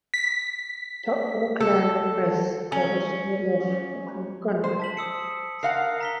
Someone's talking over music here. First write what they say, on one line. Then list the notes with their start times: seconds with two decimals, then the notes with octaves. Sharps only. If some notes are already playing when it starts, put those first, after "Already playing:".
"The Oakland Press" covers all of Oakland County.
0.14 B6
1.60 A4
2.72 C#4
4.64 C5
4.80 A5 B6 F#7
4.97 D#6 E6 C#7
5.63 A#4 F5 F#5 C7
6.01 A#5 B6 G7